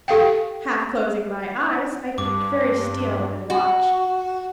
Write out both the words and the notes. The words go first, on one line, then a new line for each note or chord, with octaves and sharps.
Half closing my eyes, I kept very still and watched.
G4 A4 F5 G5
G2 D6
F#4